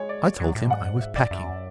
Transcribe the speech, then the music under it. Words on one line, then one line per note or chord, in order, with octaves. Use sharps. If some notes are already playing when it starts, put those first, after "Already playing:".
I told him I was packing.
Already playing: G#3 C#5
D5
F#3
A2
G#2 F#5
E5
D5
F#2 E5